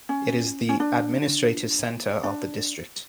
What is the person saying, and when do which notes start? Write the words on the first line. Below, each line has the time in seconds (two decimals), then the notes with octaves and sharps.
It is the administrative center of the district.
0.09 C#4
0.69 C#4
0.80 D4
2.23 D4